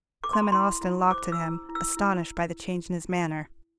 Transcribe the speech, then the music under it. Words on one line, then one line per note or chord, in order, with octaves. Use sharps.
Clement Austin locked at him, astonished by the change in his manner.
A4 D6
C6
B5
E4 C6
E4
C5 D6
E6
E4
E4
E6
E4